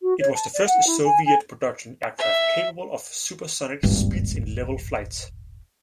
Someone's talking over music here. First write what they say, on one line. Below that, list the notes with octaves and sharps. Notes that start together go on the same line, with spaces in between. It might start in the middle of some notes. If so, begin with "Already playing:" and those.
It was the first Soviet production aircraft capable of supersonic speeds in level flight.
F#4
C#5
A5
D5
F#5
E4
G#5
G#5
E5
D#1 G#1 G2